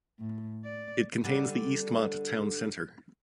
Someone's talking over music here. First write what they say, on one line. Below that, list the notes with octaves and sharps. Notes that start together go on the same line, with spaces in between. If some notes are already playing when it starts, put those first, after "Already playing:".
It contains the Eastmont Town Center.
A2
D5
D3 G3